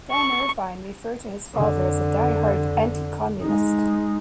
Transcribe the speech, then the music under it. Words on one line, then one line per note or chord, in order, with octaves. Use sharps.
Don Irvine referred to his father as a die-hard anti-communist.
C#6
F2 D3
G#3 D#4